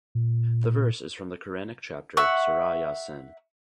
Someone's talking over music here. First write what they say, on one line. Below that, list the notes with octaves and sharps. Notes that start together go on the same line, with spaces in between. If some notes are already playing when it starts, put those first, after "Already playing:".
The verse is from the Quranic Chapter, Surah Ya-Sin.
A#2
E5 F#5 C#6